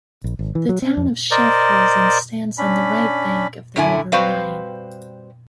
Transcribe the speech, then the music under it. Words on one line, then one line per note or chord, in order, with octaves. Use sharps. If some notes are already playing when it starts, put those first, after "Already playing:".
The town of Schaffhausen stands on the right bank of the river Rhine.
A#1
G#1
E3
F#3
C4
F2
A#4 C5 D5 D#5
C#4 D4 B5
F#2 A2 D3 E4 G#5
G3 C4 F#4 B4 C5 F5